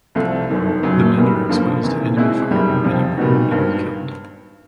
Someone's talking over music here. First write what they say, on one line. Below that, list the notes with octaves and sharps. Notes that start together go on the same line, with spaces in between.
The men are exposed to enemy fire and many were wounded or killed.
C2 C3 F3 A3
G1 F#2 D#3
G1 F#2 C#3 F#3
F#2 D#3 G3 B3
G2 D3 F3 A#3
E2 C3 D#3
B2 G#3 C4 E4
G1 F#2 D#3 G3
F2 C3 F3
A#2 G3 B3 D#4 F#4
G#1 G2 D#3